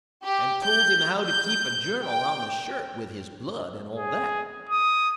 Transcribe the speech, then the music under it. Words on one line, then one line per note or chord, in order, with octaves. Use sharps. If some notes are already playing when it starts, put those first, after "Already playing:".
And told him how to keep a journal on the shirt with his blood, and all that.
G4
G6
G6
G5
G#4
D#6